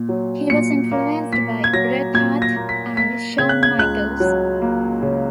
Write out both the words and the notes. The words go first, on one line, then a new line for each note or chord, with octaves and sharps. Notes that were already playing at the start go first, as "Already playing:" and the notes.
He was influenced by Bret Hart and Shawn Michaels.
Already playing: A#2
F#3
A#2 C#7
A#3
A#2 B6
G#6
F#3 A#6
A#2 G#6
A#6
A#3
B6
A#3 B6
C#3 G#6
F#6
G#6
C#2 F#6
F#3
A#3
C#3